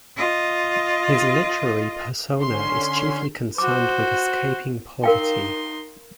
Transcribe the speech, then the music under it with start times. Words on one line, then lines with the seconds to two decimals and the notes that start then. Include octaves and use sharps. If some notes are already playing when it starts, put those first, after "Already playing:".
His literary persona is chiefly concerned with escaping poverty.
0.16 F4 D#5
2.40 D3 C#4 C6
3.58 F#4 C5 D6
5.04 D#4 A#4 F5 G5 C6